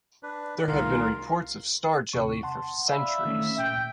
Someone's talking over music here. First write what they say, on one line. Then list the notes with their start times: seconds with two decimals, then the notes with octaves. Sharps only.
There have been reports of 'star-jelly' for centuries.
0.23 D4 B4
0.68 C2 D#3 F4 A#4 F5
2.13 D#2 C3 C#6
2.43 F#5 A5 C6
2.88 D5 E5 F5 B5
3.25 D#3 A3 C#4
3.58 A#2 G5